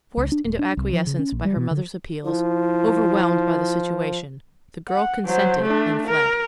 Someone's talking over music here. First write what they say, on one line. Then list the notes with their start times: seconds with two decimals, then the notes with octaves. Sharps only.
Forced into acquiescence by her mother's appeals, overwhelmed by the situation, the girl consented and fled.
0.17 C#2
0.32 D4
0.45 D#1
0.59 D4
0.77 C2
0.93 F3
1.07 C#3
1.19 C#4
1.32 A#1
1.45 G3
1.56 B2
1.71 D3
2.25 F3 E4
4.89 F#5
5.26 F#3 C5
5.62 A3 D4
6.07 A#4